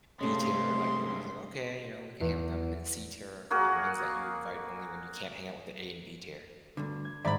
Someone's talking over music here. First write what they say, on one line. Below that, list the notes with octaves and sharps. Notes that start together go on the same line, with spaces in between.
B-tier are, like, the ones that, okay, you know, we can hang with them, and then the C-tier are the ones that you invite only when you can't hang out with the A and B-tier.
G2 C3 G#3 A3 C#4 C6
E2
A#3 F#4 G#4 A#4
D2 G2 D3
G#6
G#2 D#3 D5 E5 G5 A#5 B5